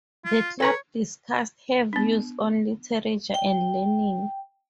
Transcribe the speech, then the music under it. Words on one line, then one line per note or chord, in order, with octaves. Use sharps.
The club discussed her views on literature and learning.
F4
A4 B4 C#5 A#5
B3 D4
G5